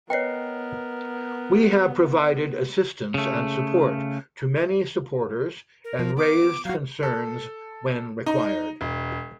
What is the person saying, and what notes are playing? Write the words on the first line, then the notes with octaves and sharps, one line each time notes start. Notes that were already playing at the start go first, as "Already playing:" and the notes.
We have provided assistance and support to many supporters and raised concerns when required.
B3 A#4 B4 C#5 D#5 G5 C7
C#3 A3
A#4
F3
B3 D6
F#3 F#4 F5
A4
D#4
E1